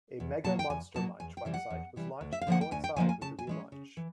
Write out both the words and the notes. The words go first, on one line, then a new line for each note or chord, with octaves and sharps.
A Mega Monster Munch website was launched to coincide with the relaunch.
E2
B2 F#3 A#3 A5
G5
E2 G#5
B2 F#3 A#3 A5
E2 G#5
G5
C3 E3 G3
F#5
E2
C3 E3 G3
D2
E5
F5
D3 F3 A#3 F#5
G5
D2 G#5
G5
D3 F3 A#3 G#5
G#5
C#3 A5
G#5
E3 G#3 C#4
C#3
E3